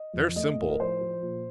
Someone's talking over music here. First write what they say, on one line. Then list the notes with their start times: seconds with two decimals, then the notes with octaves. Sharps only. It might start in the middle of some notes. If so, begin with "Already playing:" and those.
They're simple.
Already playing: D#5
0.14 F2
0.36 A3 D#5
0.58 A2
0.68 A#4
0.79 F3 C5
1.01 F3
1.22 A#2